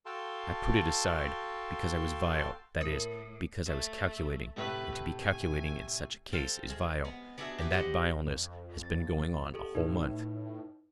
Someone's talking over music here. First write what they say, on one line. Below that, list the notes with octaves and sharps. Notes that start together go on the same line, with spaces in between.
"I put it aside because I was vile, that is, because I was calculating, and to be calculating in such a case is vile ... and that vileness has been going on a whole month."
F#4 A4 F5 G5 A5 C6
A2 A#4
A3
A2 C3 A3 B4
G#5
A4 C5 F5 G5
G#3
B3
B3 D4 F#4 G#4 E5
E3 G4
B4 C5 D#5 F#5
F2
A6
G4 A4
A2 D#4 B4